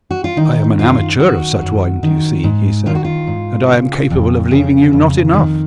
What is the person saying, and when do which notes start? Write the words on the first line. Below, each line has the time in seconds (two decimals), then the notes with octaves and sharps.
"I am an amateur of such wine, do you see?" he said, "and I am capable of leaving you not enough."
0.11 F#4
0.24 F4
0.37 D#3 D#4
0.79 F#2 F4
1.20 D#3 F#4
1.62 F#2
2.03 D#3
2.44 G#2
2.86 D#3 F4
2.95 F#4
3.05 F4
3.27 G#2
3.68 C#3
4.10 F2
4.51 C#3
4.93 F2
5.33 D#3